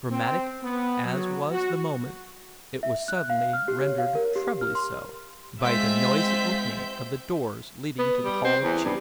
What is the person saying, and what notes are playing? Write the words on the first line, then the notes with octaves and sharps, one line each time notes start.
Dramatic as was the moment it was suddenly rendered trebly so by the noisy opening of the doors leading to The Hall of Chiefs.
C4
B3
F#3
F#4
E5
F#6
F5
F6
G4
C#5
F5
A#4
G4
F6
C6
G#3 C4 F4 E5 G6 B6
B3
G3
C4
E2
G2